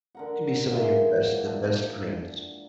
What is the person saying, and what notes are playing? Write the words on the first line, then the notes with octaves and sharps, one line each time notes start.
To be some of your best the best friends.
D3 A#4 F#5
A#2 E3 G#3 A#3
D4